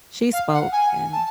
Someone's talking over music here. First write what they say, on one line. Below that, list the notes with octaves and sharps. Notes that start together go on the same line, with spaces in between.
she spoke and
F5
F#5
G#5
A5